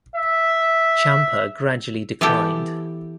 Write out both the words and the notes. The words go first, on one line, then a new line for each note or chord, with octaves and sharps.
Champa gradually declined.
E5
E3 B3 E4 G4 A4